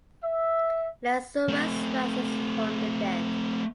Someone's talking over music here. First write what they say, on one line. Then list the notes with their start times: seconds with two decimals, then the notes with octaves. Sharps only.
Lazurus rises from the dead.
0.24 E5
1.48 A3 C4